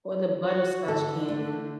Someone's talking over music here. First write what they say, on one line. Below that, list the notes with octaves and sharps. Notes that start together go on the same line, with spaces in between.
Or the butterscotch candy.
F#4
D3 A4
A3